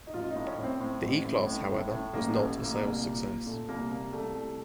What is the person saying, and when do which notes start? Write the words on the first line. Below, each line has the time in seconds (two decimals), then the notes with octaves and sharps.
The E-Class however, was not a sales success.
0.07 D#4
0.14 A1 F4
0.31 D#4
0.36 A2
0.47 C#4
0.58 A2
0.64 C4
0.80 A2
1.03 A1
1.25 A2
1.47 A2
1.69 A2
1.91 A2
2.13 A1 A#3
2.30 A3
2.35 A1
2.58 A2
2.64 A#3
2.80 C2
3.02 A#2
3.24 A#2
3.46 A#2 A3
3.69 C2 A#3
3.91 C2 A#3
4.13 C2 A3
4.35 C2